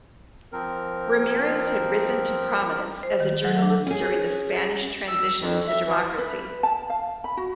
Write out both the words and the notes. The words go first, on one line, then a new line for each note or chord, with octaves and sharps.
Ramirez had risen to prominence as a journalist during the Spanish transition to democracy.
F3 C4 A#4
C5
D#3
F#3
D4
C#4 G#4
E6
F2
E5
E3
B4
A5
F5
B5
F#4